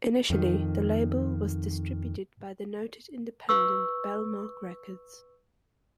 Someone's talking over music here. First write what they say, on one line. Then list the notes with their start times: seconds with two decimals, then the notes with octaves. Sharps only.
Initially the label was distributed by the noted independent Bellmark Records.
0.30 F2 D#3
3.49 B4 C#6 E6